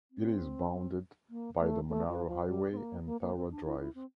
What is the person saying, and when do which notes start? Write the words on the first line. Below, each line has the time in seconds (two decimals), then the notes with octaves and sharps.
It is bounded by the Monaro Highway and Tharwa drive.
0.11 C4
1.30 A#3
1.59 A3
1.89 A3
2.08 F3
2.28 F3
2.47 G3
2.72 C4
2.77 A#3
3.06 A#3
3.21 A#3
3.36 C4
3.51 D4
3.65 E4
3.80 E4
3.95 C4